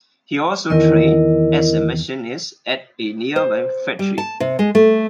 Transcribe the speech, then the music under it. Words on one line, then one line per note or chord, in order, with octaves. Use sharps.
He also trained as a machinist at a nearby factory.
E2 D#3 E4 A#4 D#5
C5
G3
A5
C3
G#3
A3